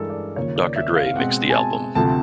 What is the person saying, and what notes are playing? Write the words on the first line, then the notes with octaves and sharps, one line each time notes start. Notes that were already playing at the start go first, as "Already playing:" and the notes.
Doctor Dre mixed the album.
Already playing: G2 E3 G#3 A4 A#4
D5
D#2 C#3 F3 A#3 C#5
D5
E5
F5
F5
B2 G#3 C4 F#5
G#5
A5
D2 C3 F3 A3 C4 A5